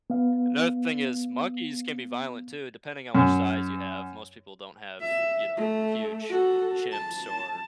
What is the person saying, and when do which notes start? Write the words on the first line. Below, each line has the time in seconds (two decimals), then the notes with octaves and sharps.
Another thing is monkeys can be violent too, depending on which size you have, most people don't have, you know, huge chimps or
0.10 B3 F5
3.15 F#2
5.01 E5
5.57 A3
6.30 F#4 A4
6.92 A5